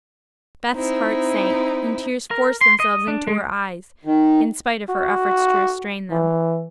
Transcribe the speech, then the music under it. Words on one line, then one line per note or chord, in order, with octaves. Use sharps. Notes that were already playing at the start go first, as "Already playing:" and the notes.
Beth's heart sank, and tears forced themselves into her eyes in spite of her efforts to restrain them.
C4 D#4 E4
A#4
C6
D#5
D4
G#3
D#3
F#4
E3